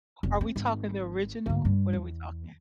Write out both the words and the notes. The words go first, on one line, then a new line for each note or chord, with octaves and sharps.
are we talking the original? What are we talking?
F1
C4
G#1
D2 G#2
G2
E2